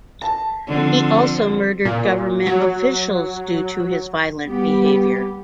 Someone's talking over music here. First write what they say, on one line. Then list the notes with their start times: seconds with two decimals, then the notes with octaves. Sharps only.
He also murdered government officials due to his violent behavior.
0.22 A5
0.67 D3 F3 C4
1.85 A#2
2.47 F#3
4.44 G3 B3 G4